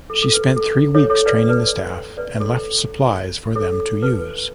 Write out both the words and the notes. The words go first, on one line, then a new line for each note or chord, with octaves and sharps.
She spent three weeks training the staff and left supplies for them to use.
A4
A4
B4
A4
A4 C#5
A4 C#5
B4 D5
B4 D5
B4 D5
A4 C#5
A4 C#5
B4